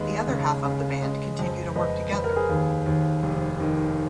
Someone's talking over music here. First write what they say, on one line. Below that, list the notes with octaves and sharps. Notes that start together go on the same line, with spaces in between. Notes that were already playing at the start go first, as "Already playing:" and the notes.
The other half of the band continue to work together.
Already playing: D#2 G#3 G#4 B4
C#3
C#3
G#3
F2
F2 B4 D#5
F2 B4
A#4
G#4 B4
D#2
D#2
F1
D#3